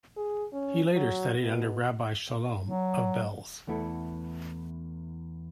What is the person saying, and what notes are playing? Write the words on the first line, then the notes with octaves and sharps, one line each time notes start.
He later studied under Rabbi Shalom of Belz.
G#4
C#4
F#3
B2
F#3
E2 A3 B3 E4 A4